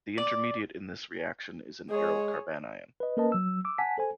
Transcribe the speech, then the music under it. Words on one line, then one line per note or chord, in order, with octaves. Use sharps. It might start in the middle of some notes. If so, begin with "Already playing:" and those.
The intermediate in this reaction is an aryl carbanion.
D5
G#3 G#4 C#5
B4 D#5
A#3 C#4 A#4 B4 D#5 A5
F#3 E6
D6 E6
F#5 G#5 A5 B6
A4 C5 G#5